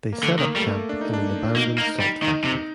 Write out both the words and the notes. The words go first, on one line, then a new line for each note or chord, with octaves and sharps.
They set up camp in an abandoned salt factory.
A#3
D3 A3
D#3 A#3
G3 A3
A#3
D4
D#4
D4
A#3 D#4
A#3
D#4
G3
D#3 D#4
C3